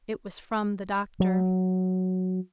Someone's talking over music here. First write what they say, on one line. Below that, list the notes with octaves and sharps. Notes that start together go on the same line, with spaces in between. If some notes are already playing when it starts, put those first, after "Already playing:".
It was from the doctor.
F#3